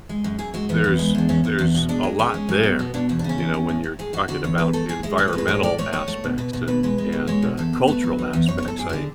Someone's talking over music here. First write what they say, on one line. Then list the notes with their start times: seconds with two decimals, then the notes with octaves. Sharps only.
there's there's a lot there, you know, when you're talking about environmental aspects and and, uh, cultural aspects. I
0.09 G#3
0.24 F#2
0.39 F#2 G#4
0.54 G#3 F#4
0.69 E2 B3
0.84 E2
0.99 G#3
1.15 E2 D4
1.29 E2 C#4
1.44 E2 E4
1.58 E2 D4
1.74 B2
1.88 G#3 D4
2.03 G#3
2.19 G#3 C#4
2.34 G#3
2.49 F#3
2.63 B2
2.79 B2 B3
2.94 B2 D4
3.09 E2 E4
3.19 D4
3.24 C#3 C#4
3.38 E2
3.54 E2
3.69 A2
3.84 A2
3.99 A2 G#4
4.13 A2 F#4
4.28 D3 F#4
4.44 E2 C#5
4.58 E2 B4
4.73 A3 A4
4.89 G#3 G#4
5.03 G#3 E4
5.18 A2 G#4
5.28 B4
5.33 G#3
5.38 B4
5.48 A2 C#5
5.63 A2 D5
5.78 A3 C#5
5.93 A2 C#5
6.08 A3
6.24 B2
6.38 B2 B4
6.53 B2
6.68 B2 B4
6.83 G#3 B4
6.98 G#3
7.12 B2
7.27 G#3 C#5
7.42 B2
7.57 E2 A4
7.73 B2
7.88 A3 B4
8.04 F#3
8.19 F#3
8.33 E2
8.47 F#2 C#5
8.58 C#5
8.63 F#2
8.68 A4
8.78 F#2 G#4
8.89 F#4
8.93 D3 G#4